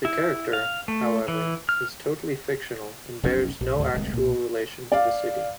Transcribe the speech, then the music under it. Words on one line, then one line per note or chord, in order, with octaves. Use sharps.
The character, however, is totally fictional and bears no actual relation to the city.
E4
F5
A3
E3
F6
F1 B1 C#3 C#4
A#1
D2 A2
D1 C2 G#3
B1 A#2
D5 F5